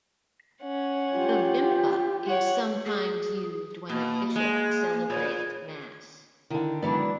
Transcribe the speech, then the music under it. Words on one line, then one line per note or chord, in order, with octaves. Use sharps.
The vimpa is sometimes used when a bishop celebrates Mass.
C#4 F#5
F4 G4
C#5 F#5
G#4
B2 A#3
G#3
A#3
A#2 C#5
D3 D#3 E4
E3 F#3 G#3 B3 D4 E4 D5